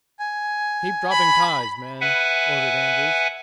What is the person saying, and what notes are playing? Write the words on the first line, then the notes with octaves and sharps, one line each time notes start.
"Keep dropping ties, men," ordered Andrews.
G#5
B5
B4 E5 F#5 G#5